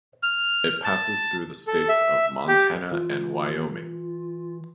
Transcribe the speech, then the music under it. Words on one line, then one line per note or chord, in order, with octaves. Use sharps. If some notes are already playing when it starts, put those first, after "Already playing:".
It passes through the states of Montana and Wyoming.
F6
A5
A4
E5
G4
E3 F4